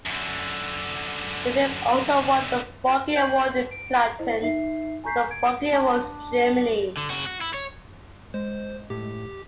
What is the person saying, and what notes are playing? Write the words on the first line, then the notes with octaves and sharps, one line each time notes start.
The film also won the Bogey Award in Platin from the Bogey Awards, Germany.
F#2 D3
C5 G5 G6 G#6 C7 F#7
D7
E4 C5 D#5
D#4 E5 C7
G#5 A#5 C#6 G6 B6 C7
G#6 D7
D4
D3
C#3 F#4
F#4
E4
C#5
G#3 C5
A2 G4